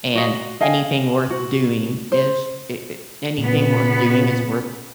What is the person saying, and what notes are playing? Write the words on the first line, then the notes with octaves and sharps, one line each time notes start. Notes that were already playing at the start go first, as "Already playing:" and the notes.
And anything worth doing is, eh eh, anything worth doing is worth
F#4 D#5
D#5 F5 G5 G#5
F#4
C5
A#2 C#3 B3